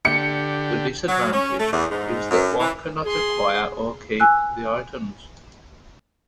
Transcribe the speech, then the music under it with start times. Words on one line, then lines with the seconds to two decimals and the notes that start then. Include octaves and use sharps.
The disadvantage is that one cannot acquire or keep the items.
0.05 D3 G4 C#7
1.08 F#3
1.33 C#4
1.60 A3
1.73 E2
1.91 G#2
2.31 F#2
2.60 E3
3.04 G#4 C6
4.20 G#5 E6 F#6